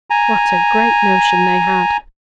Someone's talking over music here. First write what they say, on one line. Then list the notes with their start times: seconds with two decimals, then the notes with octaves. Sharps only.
What a great notion they had!
0.10 G#5 A#5